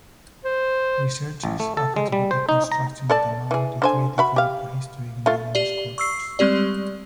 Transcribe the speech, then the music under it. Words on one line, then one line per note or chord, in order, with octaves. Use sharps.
Researchers have attributed construction of the mound to three different prehistoric indigenous cultures.
C5
A1
A3
A4
G#3
G3
C5
D#4
A#5
A4 D5 A5
E3 G#4
D3 C5 G#5
F#4 E5 B5
G4 F5
A3 F4
G4 D5
C#6 E6 C7
G3 G#3 C4 G4 D5